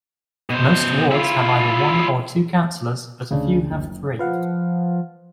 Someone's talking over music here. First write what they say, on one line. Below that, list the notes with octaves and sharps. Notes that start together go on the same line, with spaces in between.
Most wards have either one or two councilors, but a few have three.
B2 C5
E4 F4
D2 C#3 D4
F#1
F3 B4 F5 F#5